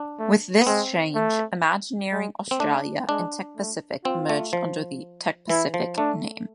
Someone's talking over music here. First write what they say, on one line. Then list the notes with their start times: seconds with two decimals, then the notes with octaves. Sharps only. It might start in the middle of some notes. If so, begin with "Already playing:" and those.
With this change, Imagineering Australia and Tech Pacific merged under the "Tech Pacific" name.
Already playing: D4
0.19 A3
0.62 B3
0.67 G#3 C4
1.15 A3
2.12 G#3
2.51 C4
2.60 A3 D4
3.09 G#3 D4
3.57 A3
4.05 C4 F4
4.29 A3
4.53 F3
5.49 E3 E4
5.74 F3
5.98 A3 D4